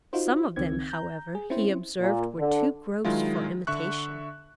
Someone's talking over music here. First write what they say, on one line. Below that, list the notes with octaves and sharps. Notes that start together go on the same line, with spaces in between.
Some of them, however, he observed were too gross for imitation.
D#4 F4 F#4 C5
C#2 D#3 C4 G#6
A#5 G6
G#4
C4 C#4 E4 C5
A#2
D3
D#3 F#3 G#3 E4 F4
D3 E5 C#6 F#6